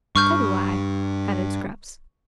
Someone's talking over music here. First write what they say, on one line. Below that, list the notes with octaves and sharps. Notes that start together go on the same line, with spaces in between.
"So do I," added Scraps.
G2 C#6 F6 G6